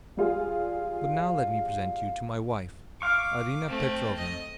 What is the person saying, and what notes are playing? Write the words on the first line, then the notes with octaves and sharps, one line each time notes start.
But now let me present you to my wife, Arina Petrovna.
G3 F4 G#4 F5
F5 C#6 D6
A3 C4
D#5